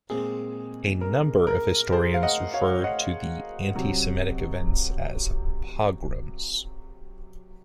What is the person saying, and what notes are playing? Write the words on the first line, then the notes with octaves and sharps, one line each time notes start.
A number of historians refer to the antisemitic events as "pogroms".
A#2 G#3 C4 G#4
A#4
A#4
G#4 C5
F5
D#5 F#5
C#5 F5
D#5 F#5
C3 F#3 C4